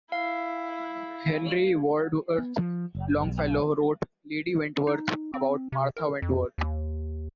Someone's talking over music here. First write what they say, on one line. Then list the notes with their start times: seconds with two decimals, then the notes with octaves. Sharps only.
Henry Wadsworth Longfellow wrote "Lady Wentworth" about Martha Wentworth.
0.12 E4 F5
2.38 B3
2.59 F3
2.95 F#1
3.24 B1
4.87 D#4
5.34 C4
5.72 C3
5.97 A#4
6.22 F2
6.58 D#2